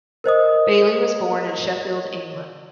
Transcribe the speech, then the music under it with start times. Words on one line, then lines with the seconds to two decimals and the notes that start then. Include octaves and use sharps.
Bailey was born in Sheffield, England.
0.24 A#4 C5 D#5 D#6